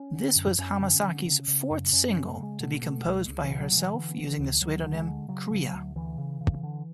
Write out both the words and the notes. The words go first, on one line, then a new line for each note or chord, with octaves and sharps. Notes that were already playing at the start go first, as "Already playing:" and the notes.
This was Hamasaki's fourth single to be composed by herself using the pseudonym "Crea".
Already playing: C#4
D3
F#2
F#2 C#4
D3
D3
C#3
C#3
F#2
F#2 C#4
C#4
C#3
A3
C#3 G#3
B2 A3
B2 A3
C#2 G#3
C#2
E3
B2
F#3
B2
E3
D3 E3
D3
D2
D2 F#3
D3
G#3
D3
C#3 F#3
C#3
D2
D2 E3
C#3
C#3
D3